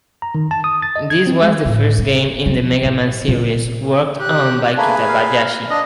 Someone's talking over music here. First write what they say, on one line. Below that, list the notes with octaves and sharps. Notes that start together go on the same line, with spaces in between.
This was the first game in the "Mega Man" series worked on by Kitabayashi.
A#5
D#3
A5
D#6
A6
D#5
G#6
C4
G#3
A2
B3
F3
A2
A#2
G4 F#6
A3 A#3 D4 G#4 B4
A#4 F5
D4 D#5